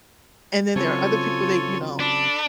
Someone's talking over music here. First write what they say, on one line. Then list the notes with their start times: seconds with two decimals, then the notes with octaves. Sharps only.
and then there are other people they you know,
0.76 C#3 F#3 C4 F4 A4 C#5 G#5
2.00 D4 A4 B5